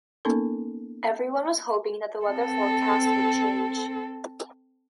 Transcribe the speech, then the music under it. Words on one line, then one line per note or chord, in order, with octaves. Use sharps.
Everyone was hoping that the weather forecast would change.
A#3 B3 C#4 D#4 A4 A#4
C4 A4